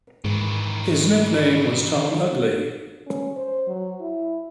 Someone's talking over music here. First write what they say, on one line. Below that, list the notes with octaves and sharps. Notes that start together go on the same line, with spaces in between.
His nickname was Tom Ugly.
G#2 D#3 E3
C#4
C5
F#3
E4